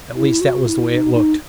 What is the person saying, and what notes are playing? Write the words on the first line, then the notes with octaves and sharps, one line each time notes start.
At least that was the way it looked.
E4
F#4
F#4
E4
E4
D#4
D#4